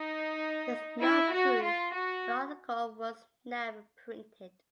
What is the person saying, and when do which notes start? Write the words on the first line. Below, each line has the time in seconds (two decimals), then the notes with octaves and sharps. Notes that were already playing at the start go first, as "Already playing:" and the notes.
With no proof, an article was never printed.
Already playing: D#4
1.01 E4
1.32 F#4
1.63 F4
1.94 F#4